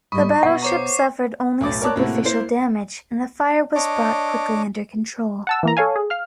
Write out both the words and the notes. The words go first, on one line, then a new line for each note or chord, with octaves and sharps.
The battleship suffered only superficial damage, and the fire was brought quickly under control.
G#2 G3 A3 B5 C#6 D#6
B2 B3 F#5
C5 C#5 A#5 C#6 D6 C7
B1 A2 D6 A6
A#4 C#5 D5 A5 D6 F#6
A2 C3 A#3 E4 F#4
A#3 E4 C5 C7
D4 C#5 D#5 D6
F#5 A5 E6
E3 A#3 A#5
A4 C#5 F5 G#5
G#4
F5 F6